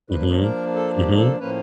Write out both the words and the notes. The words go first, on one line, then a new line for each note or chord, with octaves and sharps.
Mhm. Mhm.
F3 A#3 D4 B4
A#4
A4
G4
A4
A2 F3 A#3 C#4 B4